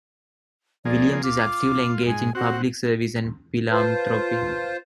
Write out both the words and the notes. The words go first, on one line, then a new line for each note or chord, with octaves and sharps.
Williams is actively engaged in public service and philanthropy.
F3 A#3 G#4 D5
F4 D6
G#2 G#5
C4 F#4 F#5
F4 B4 C5 A5 C6